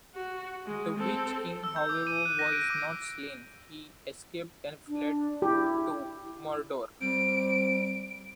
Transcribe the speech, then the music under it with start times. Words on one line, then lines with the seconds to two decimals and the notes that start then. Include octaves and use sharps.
The Witch-king, however, was not slain: he escaped and fled to Mordor.
0.16 F#4
0.67 G#3
0.98 C4 A4
1.64 E6
1.76 G6
1.89 D6
2.07 D#7
2.25 F#6
2.39 A#6
2.52 D7
2.70 D6
4.88 D4
5.42 E4 G4
7.02 G3 C4 D7